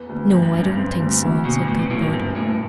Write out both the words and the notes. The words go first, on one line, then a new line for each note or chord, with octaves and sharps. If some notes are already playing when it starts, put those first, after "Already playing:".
"No, I don't think so," said Cuthbert.
Already playing: E2 B3
D2
G1 G2
F#2
G1 F#2
G2
C4
D2
D2
D2 B2
G2
A2 B3
C3
B1 A2
G2
F#1 G2
F#1 A2